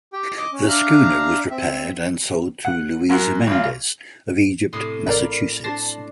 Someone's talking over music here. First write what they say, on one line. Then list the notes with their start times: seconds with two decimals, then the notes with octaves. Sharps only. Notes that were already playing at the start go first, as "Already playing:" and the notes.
The schooner was repaired and sold to Louisa Mendes of Egypt, Massachusetts.
0.13 G4 G5
0.37 D#5 D6
0.52 C#4
0.68 D4 E5 F5 A#5
1.50 C4 E5
2.65 F#5
3.09 F#2 F#4 A#4
3.47 G#1 F4
4.73 A2 C3 C6 D#6
5.07 A1 A#4 D5 F5 B5
5.64 D4 C5 A5 A#6 C7